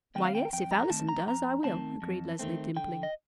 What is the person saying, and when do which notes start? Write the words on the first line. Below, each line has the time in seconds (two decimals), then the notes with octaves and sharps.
"Why, yes, if Allison does, I will," agreed Leslie, dimpling.
0.16 D#3 A3 C4 G5
0.25 F5
0.35 G5
0.53 F2 G5
0.71 A#5
0.90 D#3 A3 C4 A5
1.09 A#5
1.27 F2 A#5
1.64 D#3 A3 C4 A5
2.02 F2
2.39 D#3 A3 C4
2.76 D3 G5
3.03 D#5